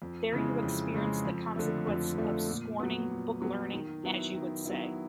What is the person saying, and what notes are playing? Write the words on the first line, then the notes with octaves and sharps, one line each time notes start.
There you experience the consequence of scorning “book-learning,” as you would say.
F2
C#3 E3 G#3
F2
C#3 E3 G#3
F2
D3 F3 A3
F2
D3 F3 A3
A#2
F#3 B3
A#2
F#3 B3
D#3
F#3 B3 E4
D#3
F#3 B3 E4